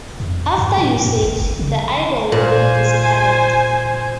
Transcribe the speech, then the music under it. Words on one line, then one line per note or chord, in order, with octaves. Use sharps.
After usage, the idol would be discarded.
F2
G2
A#2
F#2
F#1
G1
C#3
A#2 C5 G#5